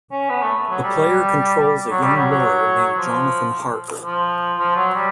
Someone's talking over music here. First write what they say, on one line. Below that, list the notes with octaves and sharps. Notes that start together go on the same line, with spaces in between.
The player controls a young lawyer named Jonathan Harker.
C#4
B3
A3
F#3
G3
F#3
G3
F#3
F#3
F3
F3
F3
F#3
G3